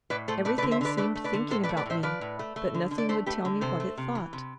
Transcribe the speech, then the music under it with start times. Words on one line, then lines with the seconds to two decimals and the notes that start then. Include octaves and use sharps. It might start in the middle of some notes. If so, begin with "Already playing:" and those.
Everything seemed thinking about me, but nothing would tell me what it thought.
0.10 A2 B4 D5
0.28 A3 A4 C5
0.45 A3 B4 D5
0.58 B4 D5
0.62 D3
0.71 C5 E5
0.81 D3 B4 D5
0.97 A3 B4 D5
1.15 A3
1.24 B4 D5
1.33 D3
1.50 A2 A4 C5
1.63 B4 D5
1.69 A3
1.77 B4 D5
1.86 A2 C5 E5
2.03 F3 B4 D5
2.21 A2
2.39 A3
2.56 A3
2.74 D3
2.91 D3
2.98 D5
3.09 A3 A4 C5
3.26 A3 G4 B4
3.45 D3
3.61 C3 A4 C5
3.80 A3
3.98 C3
4.15 E3
4.33 C3